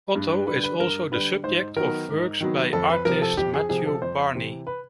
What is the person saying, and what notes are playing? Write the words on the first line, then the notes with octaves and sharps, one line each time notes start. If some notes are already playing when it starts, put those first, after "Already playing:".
Otto is also the subject of works by artist Matthew Barney.
G2
B4
D3 G3 B4
B4
G2 A#4
D3 G3 B4
G#2 C5
D#3 F#3 B3 A#4
G#2
D#3 F#3 B3
F2 A4
B4
C3 F3 A#4
A4
F2 G4
G#4
C3 F3 G#4
A4
F2 C5
C3 E3
B4